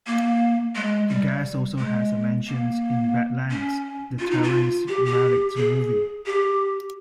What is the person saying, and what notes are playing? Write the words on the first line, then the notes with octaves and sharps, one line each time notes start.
The gas also has a mention in "Badlands," the Terrence Malick movie.
A#3
G#3
G3
G#3
A#3
C#4
F4
D#4
F4
G4
G4
G#4
G4